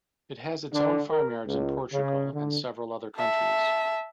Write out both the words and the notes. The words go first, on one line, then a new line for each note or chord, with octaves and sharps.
It has its own farmyards in Portugal and several other countries.
D3
A#4
C#2
C#3
D3
E5 A5